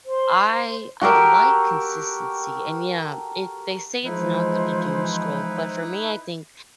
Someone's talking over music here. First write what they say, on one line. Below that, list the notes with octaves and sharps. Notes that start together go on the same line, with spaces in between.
I I like consistency. And, yeah, it they say it's not good to doom scroll. But for me, I think
C5
F#4 G4 A4 A#4
E3 F3 G#3 D#4 E4 B4 C5